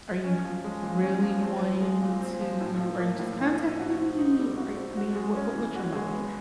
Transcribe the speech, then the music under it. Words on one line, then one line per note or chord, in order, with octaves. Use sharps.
are you really wanting to are you just contacting me or I mean, what what what's your motive?"
C#4
F3
G#3
A#2
C#4
F3
C4
F3
G#3
A#2
C4
F3
A2
F3
A#3
A2
A2
F3
F#4
C4
D#4
G3
F#4
C4
F#4
G#3
C#4
E3
F#4
G#3
B3